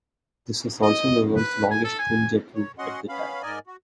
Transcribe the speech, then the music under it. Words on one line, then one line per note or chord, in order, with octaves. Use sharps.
This was also the world's longest twin-jet route at the time.
D#5
B4
G#5
A4
G#5
C#5
C#4 F#4 D#5 F#5 C6
B3 C#4 F5 B5
G#2 A#4 D5 D#5 G#5
F#4